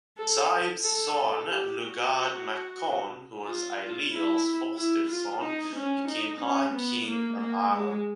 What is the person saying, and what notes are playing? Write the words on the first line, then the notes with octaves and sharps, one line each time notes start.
Sadb's son Lugaid mac Con, who was Ailill's foster-son, became High King of Ireland.
A4
A4
A4
G4
F#4
F4
E4
E4
F4
D#4
C#4
D#4
C#4
B3
A#3
A#3
G#3